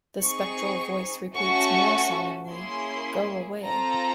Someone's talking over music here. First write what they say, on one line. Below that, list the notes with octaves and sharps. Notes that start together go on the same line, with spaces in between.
The spectral voice repeats more solemnly, "Go away!"
C4 D#4 G#4 C#6
A3 C#4 F#4 A4 C#6
A#3 C#4 E4 G#4 C6
C4 F4 A4 A#5